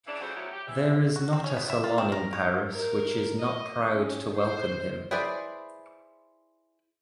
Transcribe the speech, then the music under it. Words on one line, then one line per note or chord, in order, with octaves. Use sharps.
There is not a salon in Paris which is not proud to welcome him.
C#3 E3 D4
C#3 E3 F#3 A3 F4 C5
F#3 A3 B3 C#4 E4 G4
G4
G#2 E3 G3 E5
F#4
C4
C#4
B3
E5
F4
C4
A#4
C#5
A#4
D#5
C#4
C5
E4 G#4 B4 C5 D5